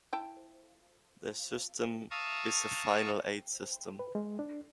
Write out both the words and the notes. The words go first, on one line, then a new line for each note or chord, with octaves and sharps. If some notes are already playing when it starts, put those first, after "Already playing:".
The system is a final eight system.
E4 G5 A5
F5 A5 A#5 C#6 D#6 E6
B4
G#3
D4